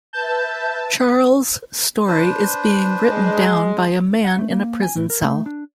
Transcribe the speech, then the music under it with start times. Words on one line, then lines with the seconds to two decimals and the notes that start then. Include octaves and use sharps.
Charles' story is being written down by a man in a prison cell.
0.13 B4 E5 A5 G6
2.08 D4 B4 C5
3.09 G#3
4.24 F#5
4.39 A3
4.51 A#3
4.82 G#5
4.96 A2
5.10 A#4
5.25 A3
5.46 D4